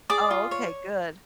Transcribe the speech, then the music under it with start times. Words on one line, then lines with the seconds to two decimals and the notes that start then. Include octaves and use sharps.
Oh, okay, good.
0.10 G#4 D5 D6
0.31 F4
0.51 C#5